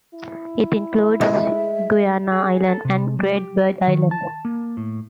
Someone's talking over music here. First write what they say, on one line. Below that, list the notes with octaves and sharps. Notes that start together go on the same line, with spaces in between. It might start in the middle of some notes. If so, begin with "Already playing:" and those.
It includes Guiana Island and Great Bird Island.
E4
G#3 E5
G#4
A4
C3
G3
G4
D#3
A5
A#3
A2